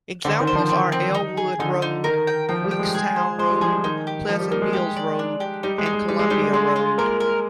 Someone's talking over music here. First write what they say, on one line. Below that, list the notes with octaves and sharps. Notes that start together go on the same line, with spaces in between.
Examples are Elwood Road, Weekstown Road, Pleasant Mills Road, and Columbia Road.
D3 C4
D#3
C5
F3
C4
C4
D#4
G#4
D3 D#4
D#4
D#3 A#4
G5
F3 G5
G3
G5
G#3
G#3 G#4
C5
G#3 C5
G3
F3 G#4
D#3 D#4
G4
F3 D#4
G3
A#3 D#4
G#3
G#3 G4
D5
D4
G4
G3 D#4
G#3
D#4
G#3
G3 D#4
G#3
G3 D#4
G3
G#3 F4
F4
A#3 A#4
A#4